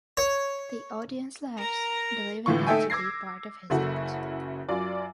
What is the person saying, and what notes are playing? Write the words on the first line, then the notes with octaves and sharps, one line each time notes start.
The audience laughs, believing it to be part of his act.
C#5
A#4 A#5
A2 D3 E3 F4 C#6
A3 D#4 A4 E5 G5 G#5
D6 E6 G#6 A#6 C7
F#1 C#3 E4 F#4 A4
F#2 F4 D5